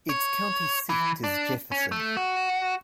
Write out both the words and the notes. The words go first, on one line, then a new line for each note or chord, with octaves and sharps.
Its county seat is Jefferson.
C#5
E3
D4
C#4
A3
F#4